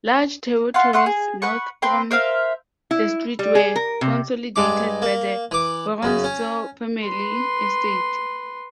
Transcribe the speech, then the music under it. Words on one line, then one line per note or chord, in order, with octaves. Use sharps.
Large territories north from the street were consolidated by the Vorontsov family estate.
F4 F#5 C6
A3 F#5 C6
G#4
B4 F#5 C#6
C4 B4 G5 C6
A#4 C5 E5 F5
E4
G3
G#4
A#4
C3
G2 G#3 D6
A#3
E3 D6
F#2 C#3
C#4
B4 C6